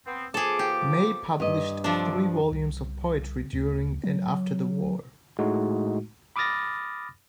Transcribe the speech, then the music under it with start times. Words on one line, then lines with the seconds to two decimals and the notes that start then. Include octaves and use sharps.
May published three volumes of poetry during and after the war.
0.06 B3 C4
0.34 F3 B3 G#4 A4 D6
0.59 G4
1.40 G2 D#5
1.84 C3 F3 D4 D6
2.52 C2
3.53 D2
4.04 F#3
5.39 A2 G#3 A3 D#4 F#4
6.36 B5 D6 D#6 F6 A6 A#6